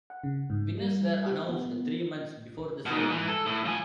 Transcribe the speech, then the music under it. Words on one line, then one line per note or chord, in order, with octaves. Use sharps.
Winners were announced three months before the ceremony.
F#5
C#3
G#2
G3
G4
B3
B2 D#3
G#2
E3
A4
A2
F3 G#5